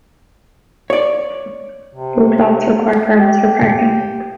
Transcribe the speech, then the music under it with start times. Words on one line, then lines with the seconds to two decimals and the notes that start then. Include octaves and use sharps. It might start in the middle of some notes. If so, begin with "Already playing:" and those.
Both lots require permits for parking.
0.90 C#5 D5
1.95 C3
3.18 G4